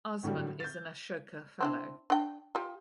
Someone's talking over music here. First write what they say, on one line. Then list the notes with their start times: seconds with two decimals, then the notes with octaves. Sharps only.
Usman is an Ashoka Fellow.
0.23 A2 D3 E3 F#3 G3
0.60 G6 A6
1.60 C4 D4 E4
2.10 D4 G5
2.55 F4 G4